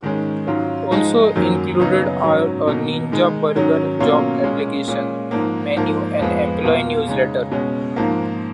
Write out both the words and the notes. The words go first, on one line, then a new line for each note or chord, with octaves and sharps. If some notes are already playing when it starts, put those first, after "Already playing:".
Also included are a Ninja Burger job application, menu and employee newsletter.
G#2 D#3 G#3 C#4
G#2 F#3 C#4 F4
G#2 F3 G#3 D#4
F#2 D#3 F#3 A#3
F#2 C#3 F#3 B3 D#4
G#2 F#3 C#4
B2 A#3 D#4
D#3 G#3 D#4
G#2 D#3 F#3 C#4
B2 F#3 A#3 C#4 F4
A#2 G#3 C#4 F4
A#2 G#3 C#4
G#2 F3 A#3
G#2 F3 A#3
F2 F3 G#3 B3
B2 A#3 F4
C#3 G#3 D#4
B2 G#3 C#4
G#2 F3 A#3